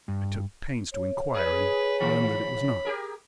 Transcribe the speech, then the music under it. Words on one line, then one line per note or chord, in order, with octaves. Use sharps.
I took pains to enquire, and learned that it was not.
G2
C#5
G#4 B4
D#3 F3 B5
G4 G#4 A#4